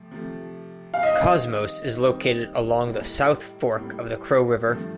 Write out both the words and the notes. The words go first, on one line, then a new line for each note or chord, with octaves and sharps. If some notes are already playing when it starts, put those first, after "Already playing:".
Cosmos is located along the South Fork of the Crow River.
Already playing: C3 F3 A3
C3 F3 A3
F5
D#3 G3 C4 D#5
D#3 G3 C4
A2 G3 A#3
A2 G3 A#3
G2 F3 A3